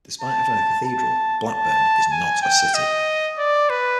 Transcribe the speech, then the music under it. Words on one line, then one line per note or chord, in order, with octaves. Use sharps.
Despite having a cathedral Blackburn is not a city.
A5
A5
A5
G#5
G5
D#5
D5
B4